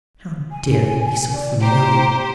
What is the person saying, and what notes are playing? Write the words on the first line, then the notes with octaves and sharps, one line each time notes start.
How dare you be so familiar!
G#5
D5
G4 C5 A#5